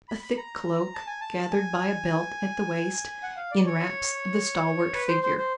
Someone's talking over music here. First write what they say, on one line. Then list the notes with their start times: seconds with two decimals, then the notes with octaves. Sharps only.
A thick cloak, gathered by a belt at the waist, enwraps the stalwart figure.
0.09 B5
0.23 B5
0.37 A#5
0.94 A5
1.07 G#5
1.21 A5
1.51 G#5
3.23 F#5
3.36 F5
3.51 D5
3.66 C#5
4.94 B4
5.08 C5
5.23 C5
5.38 C5